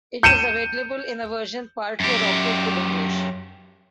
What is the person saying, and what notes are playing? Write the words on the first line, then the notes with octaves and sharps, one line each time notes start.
It is available in a version partly adopted to English.
G6 C#7 D#7 E7
F#2 G4